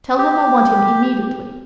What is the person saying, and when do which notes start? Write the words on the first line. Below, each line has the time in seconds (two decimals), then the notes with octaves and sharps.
"Tell him I want him immediately."
0.18 G4